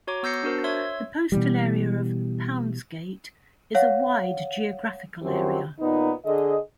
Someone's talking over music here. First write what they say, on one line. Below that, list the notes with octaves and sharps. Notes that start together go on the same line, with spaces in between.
The postal area of "Poundsgate" is a wide geographical area.
F#4 C#5 A#5 D6
B3 E6 G6 A#6 C7 C#7
D4 F#4 A#4 C5
C#5 E5 C6 E6 G#6
B2 E3 G3
C#5 F5 F#5
F#2 F3 F#3 C4 G4
D#2 A#2 B3 D#4
D3 G#4 D#5